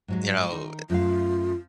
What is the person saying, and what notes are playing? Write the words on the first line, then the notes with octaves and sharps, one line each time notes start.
you know,
G#2 F#3 G#3
D#3 D#4
F#2 A3 F4 F5